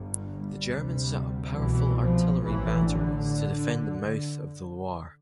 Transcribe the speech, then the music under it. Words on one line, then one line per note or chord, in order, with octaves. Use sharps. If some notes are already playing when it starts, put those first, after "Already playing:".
The Germans set up powerful artillery batteries to defend the mouth of the Loire.
Already playing: G1 G2
G3
D2 C3
C2 B2 E3
F3
A1 A2 E3
D3